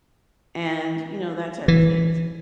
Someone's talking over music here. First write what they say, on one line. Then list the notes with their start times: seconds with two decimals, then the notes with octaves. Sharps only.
and, you know, that type of things.
1.68 E3